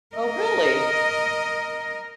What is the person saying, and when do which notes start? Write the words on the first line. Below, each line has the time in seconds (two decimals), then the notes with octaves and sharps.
Oh, really?
0.16 A#4 D#5